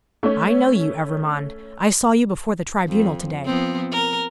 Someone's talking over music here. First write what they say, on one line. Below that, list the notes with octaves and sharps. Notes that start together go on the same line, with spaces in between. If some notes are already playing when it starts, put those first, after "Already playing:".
I know you, Evremonde; I saw you before the Tribunal to-day.
A3 C#4
F2
F3 B3 C4
A#4